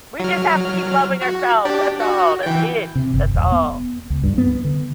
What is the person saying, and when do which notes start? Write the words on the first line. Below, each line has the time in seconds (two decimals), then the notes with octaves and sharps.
we just have to keep loving ourselves, that's all. That's it. That's all.
0.20 F#3 F6
1.21 F#4
1.65 D4 G4 D5
2.00 F#4
2.43 E3 G5
2.96 C3
3.14 G1
3.35 E1
3.52 B3
4.10 C#2
4.23 G2
4.38 B3
4.65 D3